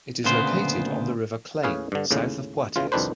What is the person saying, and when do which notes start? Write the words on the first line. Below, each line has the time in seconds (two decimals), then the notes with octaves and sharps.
It is located on the River Clain, south of Poitiers.
0.24 D2 A#2 C#3 B3 C5
1.63 A2 C#4 G#4 B4 F5
1.92 G2 D3
2.11 D#2 A2 C#3
2.76 C#3 E3 F4
2.92 C2 F2 D#3 D4 B4 C5